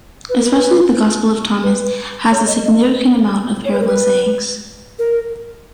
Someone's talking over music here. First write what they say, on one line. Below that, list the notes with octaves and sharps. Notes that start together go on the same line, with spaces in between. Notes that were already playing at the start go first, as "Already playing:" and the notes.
Especially the "Gospel of Thomas" has a significant amount of parallel sayings.
B4
A#4
B4
B4
C#5
D#5
D#5
B4
C#5
B4
A#4
B4
A#4